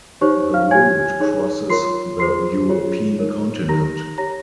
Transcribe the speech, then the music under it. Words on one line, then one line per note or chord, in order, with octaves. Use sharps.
The route crosses the European continent.
D#4 G4 C5 C#5 C#6
F5 F6
G4 C#5 G#5 G#6
D#4 G#4 C#5
F4 A#4 C#5 C6 C7
F4 G#4 C5 C6 C7
F4 G#4 C#5
D#4 A#4 C#5
D#4 G4 A#4 A#5 A#6
G4 C#5 A#5 A#6